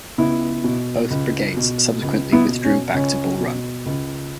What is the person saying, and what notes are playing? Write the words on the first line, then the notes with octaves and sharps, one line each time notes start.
Both brigades subsequently withdrew back to Bull Run.
C#2 B3 E4
B2
C#2
B2
C#2
B3 E4
B2
C#4
C#2 C#4
B2
C#2